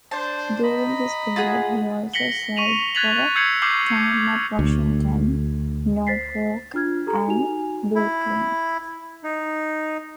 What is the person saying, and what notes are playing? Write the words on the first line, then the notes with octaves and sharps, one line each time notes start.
During this period he also served for a time at Washington, Norfolk and Brooklyn.
D4 C5 A5
D#5 A#5 B5
F4 F#4 G#4
A#6 B6 C#7 F#7 G7
C#6 B6 D#7 F7 F#7
F#6 G#6 A6 B6 F7 F#7
E6 G6 G#6 C7 C#7 F#7
C#6 D6 F6 G6 C7 F#7
D2
C5 A6 B6 C7
D4 F4 F6 G#6
G4 A4 A#5
D#4 F#4 G#5 F7
E4
D#4